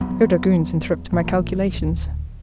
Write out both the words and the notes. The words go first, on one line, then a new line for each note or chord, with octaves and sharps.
Your dragoons interrupted my calculations.
E2 F#3 B3
A1 A#2
D1